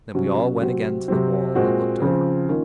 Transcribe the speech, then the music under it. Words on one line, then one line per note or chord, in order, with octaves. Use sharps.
Then we all went again to the wall and looked over.
C3 F#3 C#4 F#4
C3 F#3 C4 F#4
C3 F#3 C4
A#2 G#3 C4 F#4
C#3 F3 C4
D#3 A#3 C#4 F4